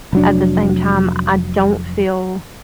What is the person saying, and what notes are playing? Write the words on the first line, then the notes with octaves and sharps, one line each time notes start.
at the same time, I don't feel
F1 F#3 D4